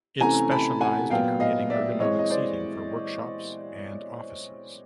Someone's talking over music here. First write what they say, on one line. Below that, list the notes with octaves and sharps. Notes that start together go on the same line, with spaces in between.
It specialised in creating ergonomic seating for workshops and offices.
C3 E3 A3 C#4 G#5 A#5
A5 B5
F#5 G#5
A#2 F#3 B3 F5 G5
D#5 F5
D5 E5
E3 G#3 C4 C#5 D#5
D#5
C5 D5